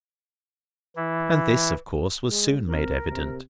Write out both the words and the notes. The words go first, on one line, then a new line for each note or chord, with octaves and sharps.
And this, of course, was soon made evident.
E3 E4
G#3
C4 A#4
C3